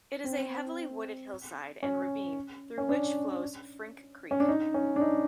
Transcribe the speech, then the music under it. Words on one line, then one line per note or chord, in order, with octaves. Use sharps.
It is a heavily wooded hillside and ravine through which flows Frink Creek.
C4
C#4
C#4
D4
C#4
D4
D#4
C#4
D4
D#4